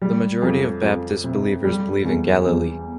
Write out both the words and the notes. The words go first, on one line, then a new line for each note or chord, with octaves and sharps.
The majority of Baptist believers live in Galilee.
G3
F2
F2
C3
G3
E2
E2